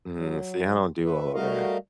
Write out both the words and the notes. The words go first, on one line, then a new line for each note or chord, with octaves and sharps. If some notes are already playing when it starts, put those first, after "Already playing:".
Mm, see, I don't do all of that.
F#3
B4 E5
G3 A3 F#4 A#4 D#5 F5